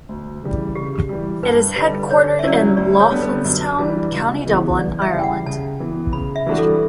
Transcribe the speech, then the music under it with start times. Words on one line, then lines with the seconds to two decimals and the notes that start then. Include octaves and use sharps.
It is headquartered in Loughlinstown, County Dublin, Ireland.
0.09 D2
0.42 C#3 E3 G3
0.75 C#3 G4
1.09 E3 G3
1.43 G2 B4
1.76 D3 G3 B4
2.10 D3 C#5
2.39 E5
2.43 F#3 C#4 E4 D5
2.55 C#5
2.77 D2 D5
3.00 C#5
3.10 D3 G3 B3
3.22 B4
3.44 F#2
3.78 E3 G3 D4
4.12 C#2
4.45 C#3 E3 B3
4.79 E2 D5
5.02 E5
5.13 C#3 E3 G3
5.19 G5
5.24 F#5
5.46 C#3 A5
5.80 E3 B3
6.13 C#3 B5
6.36 E5
6.46 E3 G3 D4 F#4
6.58 A4